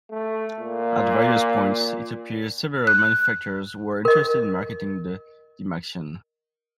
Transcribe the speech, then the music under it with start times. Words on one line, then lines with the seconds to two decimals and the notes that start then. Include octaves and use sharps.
At various points, it appeared several manufacturers were interested in marketing the Dymaxion.
0.11 A3
0.60 A#2
2.87 F#6
4.05 A#4 D#5